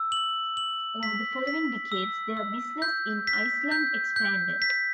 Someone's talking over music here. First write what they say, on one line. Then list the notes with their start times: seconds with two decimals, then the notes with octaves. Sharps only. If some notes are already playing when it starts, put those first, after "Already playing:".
Over the following decades, their business in Iceland expanded.
Already playing: E6
0.12 F#7
0.57 F#7
1.03 B6
1.47 B6
1.92 E6
2.37 E6
2.82 G6
3.27 B6
3.71 G6
4.16 G6
4.62 B6